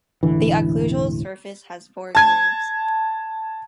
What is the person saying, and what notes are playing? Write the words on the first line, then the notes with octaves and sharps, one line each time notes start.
The occlusal surface has four grooves.
E1 A1 D3 E3
A5 G#6